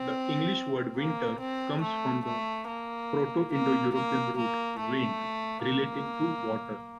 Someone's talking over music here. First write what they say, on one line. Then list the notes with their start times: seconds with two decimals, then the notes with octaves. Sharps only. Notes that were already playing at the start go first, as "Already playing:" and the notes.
The English word "winter" comes from the Proto-Indo-European root "wend," relating to water.
Already playing: C4
0.97 A#3
1.40 C4
1.82 A3
2.25 A3
2.67 A#3
3.52 A#3
3.94 A#3
4.37 A#3
4.79 A3
5.64 A#3